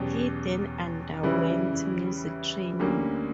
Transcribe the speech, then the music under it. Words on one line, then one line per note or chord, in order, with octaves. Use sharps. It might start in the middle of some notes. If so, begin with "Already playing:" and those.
He then underwent music training.
Already playing: E2 B2 F#3 C#4 G4
C#3 E3 G3 C#4 E4
D2 D3 G3 A#3 C#4